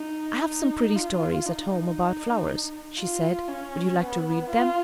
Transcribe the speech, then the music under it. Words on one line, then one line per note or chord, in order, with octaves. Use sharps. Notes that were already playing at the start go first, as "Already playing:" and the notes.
"I have some pretty stories at home about flowers," she said; "would you like to read them?"
Already playing: D#4
D#4
F4
D#4
F4
C#4
B3
F4